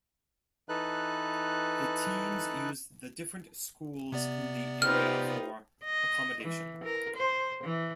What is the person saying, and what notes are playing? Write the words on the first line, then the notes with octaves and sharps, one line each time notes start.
The teams use the different schools in the area for accommodation.
E3 D#4 A4 B4 F#6
C3 B3 D5
D#4 F4 G4 B4 C5 F6
D#5
E3
A#4
C5
E3